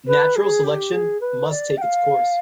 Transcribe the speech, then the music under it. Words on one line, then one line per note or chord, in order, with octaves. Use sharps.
Natural selection must take its course.
B4
G#4
G4
G#4
B4
D5
G5
F5